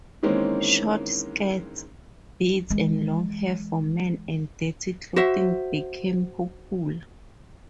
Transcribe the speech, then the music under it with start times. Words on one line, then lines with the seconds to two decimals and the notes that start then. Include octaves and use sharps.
Short skirts, beards and long hair for men, and dirty clothing became popular.
0.23 D#3 E3 G#3 A#3 C4 C#4
2.70 E3 G#3
5.16 F#4 C5 E5